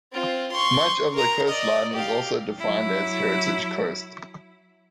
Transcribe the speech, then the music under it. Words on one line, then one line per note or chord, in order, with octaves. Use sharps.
Much of the coastline is also defined as heritage coast.
C4 F4
C6 C#6
A#4 A#5
D5 D#5
G4 F5
F#3 E4